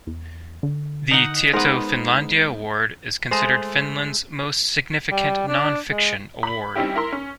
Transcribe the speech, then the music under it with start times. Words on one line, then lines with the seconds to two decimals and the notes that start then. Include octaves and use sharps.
The Tieto-Finlandia Award is considered Finland's most significant non-fiction award.
0.07 E2
0.63 D3
1.11 D#4 F#5
1.53 G#2 G#3 B3 A#4 C5 F#5
3.31 G#3 A3 C5
5.11 G3
5.48 D4
5.88 G#3
6.43 B5 B6 F#7
6.75 G3 C4 C#4 D#4 E4 G4
6.95 E4 A#4 A#5 C6
7.12 C#4